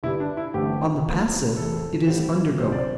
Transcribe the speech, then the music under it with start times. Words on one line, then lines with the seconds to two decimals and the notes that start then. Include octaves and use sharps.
On the passive, it is undergoing.
0.03 G1 G2 G3 E4
0.20 D4
0.37 E4
0.54 A1 G2 D3 A3 C4 G4
1.05 A1 A2 A3 C4
1.57 E2 C3 E3 A3 C4 A4
2.07 A1 A2 G3 C4
2.59 C2 C3 G3 C4 C5
2.72 D5